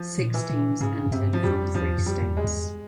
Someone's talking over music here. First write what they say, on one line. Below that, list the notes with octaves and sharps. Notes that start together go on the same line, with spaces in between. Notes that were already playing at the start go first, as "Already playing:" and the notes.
Six teams entered from three states.
Already playing: F3
A#2
E3
A#2
G#2 C#3
F2
G2 C3
F3
F2 G3
E2 F3
F2
G3
E2
G#3
E2